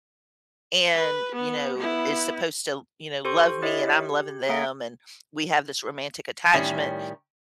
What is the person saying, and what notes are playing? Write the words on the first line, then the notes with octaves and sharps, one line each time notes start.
and, you know, is supposed to, you know, love me and I'm loving them, and we have this romantic attachment.
B4
B3
B3 E4
G4 A4 C5 C6 C#6
E4 G4 C#5 D#5 E5
G4
A#3 A4 E5 F#5 A#5 D7
A2 D#3 G3 C#4